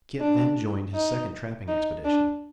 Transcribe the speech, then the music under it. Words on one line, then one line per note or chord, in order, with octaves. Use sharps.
Kit then joined his second trapping expedition.
D4
D#4
D#4
D4